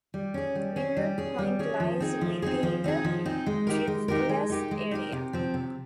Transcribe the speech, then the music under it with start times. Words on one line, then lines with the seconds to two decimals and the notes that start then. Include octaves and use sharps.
Mineral Point lies within the Driftless Area.
0.14 G3
0.34 C#4 G#4
0.55 G3
0.76 C#4 G#4
0.97 G3
1.18 C#4 G#4
1.39 G3
1.59 C#4 G#4
1.80 F3
2.00 C4 D#4 G#4
2.21 F3
2.42 C4 D#4 G#4
2.63 F3
2.84 C4 D#4 G#4
3.04 F3
3.25 C4 D#4 G#4
3.46 G#3
3.67 D#4 G4 A#4
3.87 G#3
4.08 D#4 G4 A#4
4.29 G#3
4.50 D#4 G4 A#4
4.71 G#3
4.91 D#4 G4 A#4
5.12 C3
5.33 F3 C4
5.54 C3